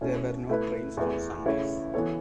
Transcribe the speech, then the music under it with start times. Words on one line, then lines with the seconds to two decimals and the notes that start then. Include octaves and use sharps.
There were no trains on Sundays.
0.01 B2 A3 C#4 E4
0.49 A3 E4 B4
0.97 E2 E3 A3 E4 B4
1.46 C#3 A3 E4 C#5
1.94 E3 B3 A4 C#5